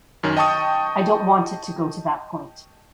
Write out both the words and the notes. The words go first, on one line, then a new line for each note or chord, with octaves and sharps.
I don’t want it to go to that point.
F#2 D#3 C#4
D#5 G5 A5 C#6 D#6